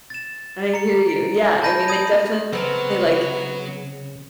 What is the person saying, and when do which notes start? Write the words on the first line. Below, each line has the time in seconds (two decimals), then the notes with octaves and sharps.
I hear you. Yeah, I mean, they definitely, like,
0.10 A6 E7
0.74 A#5 C#7
1.09 D7
1.62 A5 B5 G6 A#6 D#7
1.88 D#6 G#6 D#7
2.53 C#3 F#3 B3 C4 A4 A#4